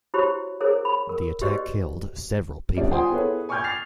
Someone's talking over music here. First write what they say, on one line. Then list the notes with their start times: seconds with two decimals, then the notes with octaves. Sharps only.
The attack killed several people.
0.14 E4 F#4 G4 C5 C#5 B5
0.61 E4 G#4 A#4 C5 C#5
0.85 B5
1.09 A#4
1.41 F#4 G4 B4 C5 D5 D#5
2.76 B2 G3 C#4 D4 D5
2.91 F4 C5 G5 G#5 C6 D#6
3.10 B3 E4 G#4 A4 B4 C#5
3.49 G#5 C#6 D6 F6 G6 G#6
3.64 F6 A6 C7 F7